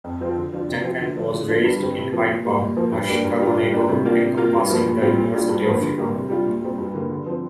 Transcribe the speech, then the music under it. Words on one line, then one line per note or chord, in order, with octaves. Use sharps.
Duncan was raised in Hyde Park, a Chicago neighborhood encompassing the University of Chicago.
F2
F3 C4 F4
D3
F3 D4 F4
C3
F3 C4 F4
D3
F3 D4
D3
F3 D4 F4
G2
D3 G3 C4
C3
F3 A#3 F4
A#2
G3 A#3
A#2
F3 A#3
G2
G3 A#3 D4
G2
G3 D4 F4
G2
G3 D4
C3
A#3 D4 F4
C3
A#3 F4
G2
F3 A#3 F4
A#2
G3 C4 F4
A#2
G3 D4 F4
G2
F3 A#3
D3
G3 A#3
C3
G3 D4 F4
A#2
G3 C4
G2
D3 A#3
D3
F3 C4